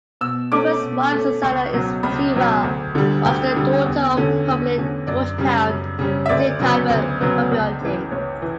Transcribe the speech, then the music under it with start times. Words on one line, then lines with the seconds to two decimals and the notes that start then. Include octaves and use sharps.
Hoban's wife Susanna Sewall was the daughter of the prominent Georgetown "City Tavern" proprietor.
0.21 B2 E6
0.52 A3 C#4 D6
0.82 B2
1.12 A3 C#4
1.43 C#2 C#6
1.73 B2 F#3 C#4
2.03 C#2 B5
2.35 B2 F#3 C#4
2.64 D2
2.95 D3 G3
3.25 D2 G5
3.56 D3 G3
3.86 E2
4.17 D3 A3 C#4
4.47 E2
4.78 D3 A3 C#4
5.07 F#2 D5
5.38 C#3 G3 C#4
5.68 F#2
5.99 C#3 G3 C#4
6.26 E5
6.29 D2 D5
6.60 C#3 F#3 B3
6.90 D2
7.21 C#3 F#3 B3
7.51 C#2
7.81 C#3 E3
8.11 C#2 C#5
8.42 E3